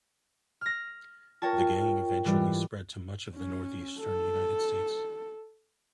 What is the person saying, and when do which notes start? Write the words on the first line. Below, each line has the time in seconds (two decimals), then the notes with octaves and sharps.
The gang eventually spread to much of the Northeastern United States.
0.61 F6 A#6
1.42 F4 A#4 C#5 G5 A5
2.24 G#2 E3 G3
3.37 C#4
3.99 A4